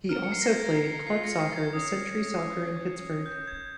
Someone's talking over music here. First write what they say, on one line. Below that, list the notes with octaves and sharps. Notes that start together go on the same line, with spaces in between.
He also played club soccer with Century Soccer in Pittsburgh.
A#4 F6
C#7
C7
A#4 A#6
G#6
A#6
C7
F4 C7
A#6 C#7
D#4 C7
G#6
C#4 D#6
G6
G#6